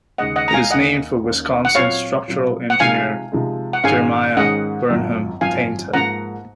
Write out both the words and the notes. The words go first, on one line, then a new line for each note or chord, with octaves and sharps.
It is named for Wisconsin structural engineer Jeremiah Burnham Tainter.
D#2 C#3 G#3 D#4 D#5 F#5
D#5 F#5
A#5
F5 G#5
D#2 D#3 A#3 C#4 D#5 F#5
D#2 D#3 A#3 C#4
F#5
A#2 F#3 C4 F4 C#5 F5
A#2 F#3 C4 F4
F#5
C3 F3 G#3 D#4 F5 G#5
C3 F3 G#3 D#4
F#5
G#2 D#3 G#3 C#4 G#4 F5 G#5
G#2 D#3 G#3 C#4 G#4 D#5 F#5
G#1 F#2 F3
G#1 F#2 F3 F5 G#5
G#2 F3 A#3 F#5 A#5